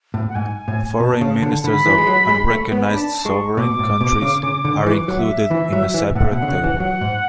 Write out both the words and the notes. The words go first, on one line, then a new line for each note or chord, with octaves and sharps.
Foreign ministers of unrecognised sovereign countries are included in a separate table.
A2
F#5
G#2 G#5
A2
B2 A5
C#3
D3
D3 B5
E3
G#3
F#3
G#3
A3
B3
B5
D4 A5
G#3 C#6
E6
B2 D6
A2
B2
C#3
C#3
D3
C#6
E3 D6
F#3
F#5
E5
E3
F#3
E3
A2 F#5
E5
B2 F#5
D3
C#3
E3
F#3 F#5
G#2